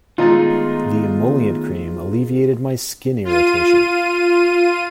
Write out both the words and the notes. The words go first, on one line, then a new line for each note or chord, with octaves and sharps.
The emollient cream alleviated my skin irritation.
D#3 G#3 A3 B3 D#4 F4 A#5 A6
F4 D#7